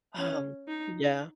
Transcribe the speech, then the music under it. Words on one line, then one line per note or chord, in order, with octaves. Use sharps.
um, yeah.
C#4
D#4